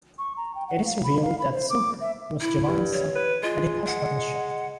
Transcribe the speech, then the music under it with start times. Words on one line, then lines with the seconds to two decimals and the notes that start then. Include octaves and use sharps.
It is revealed that Silver was Giovanni's son and he passed out in shock.
0.18 C#6
0.37 A#5
0.55 G5
0.68 F#5
0.86 F5
1.04 B5
1.22 F5
1.39 B5
1.53 C5
1.70 D6
2.01 E5
2.41 E4
2.68 G2
2.93 C#5
3.15 B4
3.43 G#3 F4
3.86 F#5